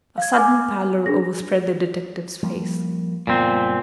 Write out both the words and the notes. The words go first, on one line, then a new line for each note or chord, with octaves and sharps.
A sudden pallor overspread the detective's face.
F5 G#6
G#5 D6 F6
D4 G#4 A#6
F3 G3 A#3
F#1 A#2 G3 B3 C4